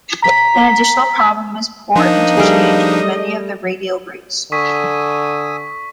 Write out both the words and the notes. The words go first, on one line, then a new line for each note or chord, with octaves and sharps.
An additional problem is poor interchange with many of the radial routes.
A#5 B6
F3 A#3 D4 D#4 D#5
G3 A3 G#4
D3 G#5 C#6 D#6 E6 B6